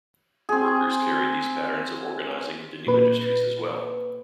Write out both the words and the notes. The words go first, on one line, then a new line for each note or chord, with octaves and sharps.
Workers carried these patterns of organizing into new industries as well.
C4 G#4
A#2 B4